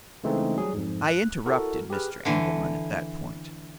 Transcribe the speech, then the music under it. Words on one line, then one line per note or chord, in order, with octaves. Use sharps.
I interrupted Mr. Engelman at that point.
C#3 E3 G#3 A3 C4 D#4
F#3 G3 G#4
F2 G#2
F#6
E4 F#4 A4 A#4
G4 G#4 B4 F6
D3 E3